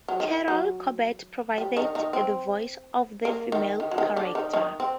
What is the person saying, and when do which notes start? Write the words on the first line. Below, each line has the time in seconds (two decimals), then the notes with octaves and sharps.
Carol Corbett provided the voices of the female characters.
0.08 F#3
0.20 D#3
0.48 F#3
1.58 G3
1.77 D#3 D#4
1.95 D#3 D#4
2.13 C4
3.25 A#3
3.52 D#3
3.80 D#3
3.91 F#3
3.98 D#3
4.16 D3 D4
4.35 D#3 D#4
4.53 D#3 D#4
4.80 C4